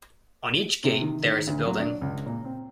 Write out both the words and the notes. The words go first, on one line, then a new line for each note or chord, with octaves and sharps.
On each gate there is a building.
C3
D#3
D#3
D2
F#3
D4
C#2
A#2
C4